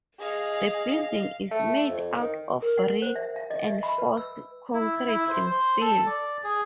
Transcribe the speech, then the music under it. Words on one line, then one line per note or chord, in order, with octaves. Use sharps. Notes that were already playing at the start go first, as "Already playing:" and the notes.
The building is made out of reinforced concrete and steel.
G#4 D#5 F5
A3
F2
D#3
A#4
F#5
C5
E5
F5
D#5
E5
B5
B4
E6
E4
E4
C5
C5
A4
D5
G#4